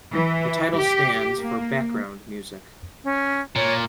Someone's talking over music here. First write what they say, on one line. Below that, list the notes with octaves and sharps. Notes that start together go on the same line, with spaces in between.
The title stands for "Background music".
E3
G4
A#3
C#4
A#2 C#5